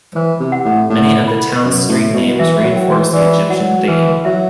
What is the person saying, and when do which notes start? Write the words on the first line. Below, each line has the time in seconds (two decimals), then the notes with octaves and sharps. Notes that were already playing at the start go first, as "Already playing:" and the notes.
Many of the town's street names reinforce the "Egyptian" theme.
0.15 E3 C5
0.40 C3
0.52 F#5
0.65 A2
0.90 A2 F#5
1.28 B5
1.64 F#2 B4
1.89 A2
2.01 E5
2.13 B2
2.39 E3 E5
2.63 F#3
2.76 G5
2.88 E3
3.13 E3 D5
3.50 F#3 F#5
3.88 E3 B4
4.25 F#3 E5